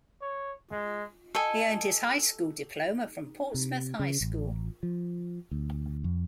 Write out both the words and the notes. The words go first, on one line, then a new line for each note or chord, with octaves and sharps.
He earned his high school diploma from Portsmouth High School.
C#5
G#3
A4 D#5 G#5
C3
C#3
A1
F3
D2
F2